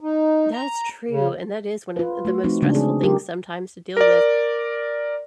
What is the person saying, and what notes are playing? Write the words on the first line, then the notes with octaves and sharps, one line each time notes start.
That's true, and that is one of the the most stressful things sometimes to deal with.
D#4
A#5
C#3
F4 B4
A3 F#4
F3 A3 C4 D#4
C#3 E3 G#3 A3 C#4 D4
C4 G#4
F#3 G4 A#4
A#4 D5